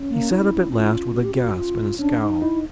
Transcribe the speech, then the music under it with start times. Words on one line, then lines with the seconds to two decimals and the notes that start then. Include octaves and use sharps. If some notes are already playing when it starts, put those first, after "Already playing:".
He sat up at last with a gasp and a scowl.
Already playing: C#4
0.10 A#3
0.31 E4
0.74 F4
1.15 F#4
1.25 G4
1.34 F#4
1.57 F4
1.99 C#4 D4
2.21 D#4
2.42 D#4 E4